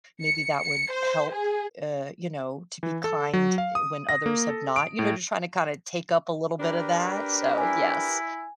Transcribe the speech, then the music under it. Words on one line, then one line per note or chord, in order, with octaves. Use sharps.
maybe that would help, uh, you know, to be kind, eh, when others have not, you know? Just trying to, kinda take up a little bit of that, so yes,
C#7
C#7
C5
G#4
E3
A4
F#3
F5
D#6
A#6
A#3
A4
D7
A2
D4 G4 A#4 B4
E4 G#5